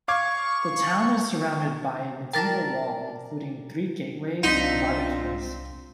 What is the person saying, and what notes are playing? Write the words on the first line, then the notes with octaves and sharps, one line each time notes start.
The town is surrounded by a medieval wall including three gateways and barbicans.
F5 C#6 D6 G#6
A#4 D5 G5 A5 A6 A#6
C2 C4 D4 D#4 F4 C6 B6